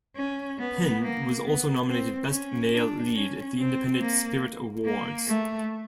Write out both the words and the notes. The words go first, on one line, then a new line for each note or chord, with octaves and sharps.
Penn also was nominated Best Male Lead at the Independent Spirit Awards.
C#4
B3
A#3
B3
C4
C#4
D4
C#4
C4
A#3
A#3
A3